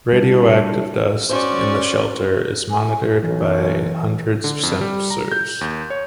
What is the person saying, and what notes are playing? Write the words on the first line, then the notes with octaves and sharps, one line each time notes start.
Radioactive dust in the shelter is monitored by hundreds of sensors.
G3 D4 E4
C#4 F#4 C5 D5
G#5
B1 E3
D3
F2
G3
A#5
G6
D#2
C#5